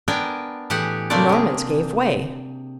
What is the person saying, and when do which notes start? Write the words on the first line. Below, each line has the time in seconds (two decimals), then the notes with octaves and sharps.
The Normans gave way.
0.08 B3 D4 A#4 G5 G#5
0.70 A2 E3 G4 G#4 F#5 G#5
1.10 C3 A3 A#3 C4 D4 D5
1.29 C3 G#4